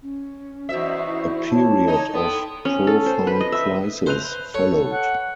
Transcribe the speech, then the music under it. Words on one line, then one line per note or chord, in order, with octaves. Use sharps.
A period of profound crisis followed.
C#4
E2 D#4 F#4 C5 E5
E4
C#5 D5 A5
D#4
B3 A4 G5 C6 D#6
C#4
A4
C5
B4
D#5
E5
B4 C5 F#6 F7
A4 C#5
F#5